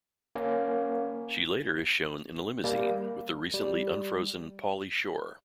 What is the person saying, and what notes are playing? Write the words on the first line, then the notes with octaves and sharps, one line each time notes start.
She later is shown in a limousine with the recently unfrozen Pauly Shore.
A#3 C#4
G3 A#3
G3